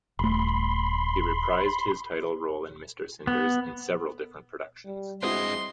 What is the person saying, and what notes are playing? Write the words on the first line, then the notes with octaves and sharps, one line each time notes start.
He reprised his title role in Mr. Cinders in several different productions.
D#1 A3 B5 C6
B3
G3
G2 G#3 C4 E4 F#4 D#5 C6